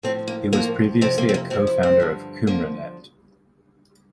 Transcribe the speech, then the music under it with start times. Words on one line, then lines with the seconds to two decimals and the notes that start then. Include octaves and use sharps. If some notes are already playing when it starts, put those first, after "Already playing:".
He was previously a co-founder of Qumranet.
0.03 A2 F3 C4
0.28 A#3
0.53 A2 F3 A#3
1.01 F2 C3 F3 C4
1.18 A#3
1.29 C4
1.34 A#3
1.50 F2 C3 F3 C4
1.67 E4
1.83 C4
2.00 G2 D3 F3
2.47 D3 F3 A#3